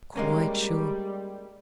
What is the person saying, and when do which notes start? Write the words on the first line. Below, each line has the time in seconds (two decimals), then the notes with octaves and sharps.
"Quite sure."
0.16 G3 G#3 A#3 C#4